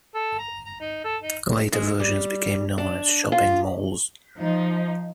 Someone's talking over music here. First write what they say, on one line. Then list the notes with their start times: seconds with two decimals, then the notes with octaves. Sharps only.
Later versions became known as shopping malls.
0.15 A4
0.39 A#5
0.65 A#5
0.81 D#4
1.04 A4
1.22 D#4
1.73 G#3
2.00 G3
2.78 D4
3.32 F4
4.39 F3 D#4